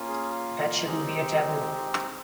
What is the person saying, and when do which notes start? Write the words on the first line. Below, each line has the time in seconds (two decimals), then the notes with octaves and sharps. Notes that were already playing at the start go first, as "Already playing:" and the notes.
That shouldn't be a taboo.
Already playing: A#3 C#4 F4
0.08 G#4
0.84 G#3 C4 D#4 G4 G#4